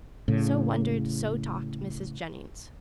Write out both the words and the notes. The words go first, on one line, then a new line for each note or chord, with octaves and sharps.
So wondered, so talked Mrs. Jennings.
A2 C#3